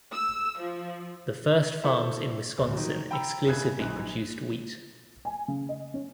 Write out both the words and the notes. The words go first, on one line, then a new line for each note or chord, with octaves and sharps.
The first farms in Wisconsin exclusively produced wheat.
E6
F3
E4 A4 C5 E5
D1 G#1
D#3 F3 F#3
G5 A#5 B5 E6
F#1 C#3 F#6 G#6
A#1 F#2 D#4 F#6
G#5
C#3
D#5
C#4